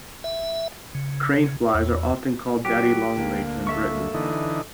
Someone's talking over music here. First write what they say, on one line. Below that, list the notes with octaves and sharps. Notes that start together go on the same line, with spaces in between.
Craneflies are often called daddy-long-legs in Britain.
E5
C#3
E2
F#3 G4
D2 A#3
A4 E5 C#6
D3 E3 D#4